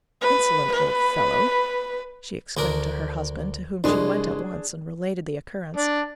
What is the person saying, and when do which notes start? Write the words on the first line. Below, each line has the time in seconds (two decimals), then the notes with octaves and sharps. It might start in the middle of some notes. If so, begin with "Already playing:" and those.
"Insolent old fellow!" she exclaimed to her husband, to whom she went at once and related the occurrence.
0.22 B4
0.73 B4
2.57 D2 D4 A#4
3.84 C2 G#3 D4 G#4
5.76 D4